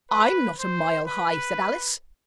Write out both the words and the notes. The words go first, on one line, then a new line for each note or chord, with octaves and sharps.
'I'M not a mile high,' said Alice.
B4
C5
B4